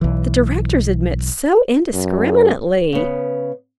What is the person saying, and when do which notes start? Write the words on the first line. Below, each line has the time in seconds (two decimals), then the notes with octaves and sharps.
The directors admit so indiscriminately.
0.01 B1 E3
1.93 F#2
2.92 C#3 B3